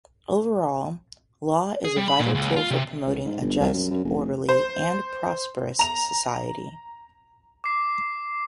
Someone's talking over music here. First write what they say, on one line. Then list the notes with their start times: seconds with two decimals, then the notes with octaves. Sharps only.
Overall, law is a vital tool for promoting a just, orderly, and prosperous society.
1.85 G#4
1.97 G3
2.08 B5
2.20 A#2
2.35 C#2
2.56 F4
2.71 C3
3.07 C#2
3.25 G#2
3.40 G1
3.60 C2
3.73 F#2
3.91 F#2
4.05 F1
4.49 C5
5.79 A#5 F7
7.64 D6 C7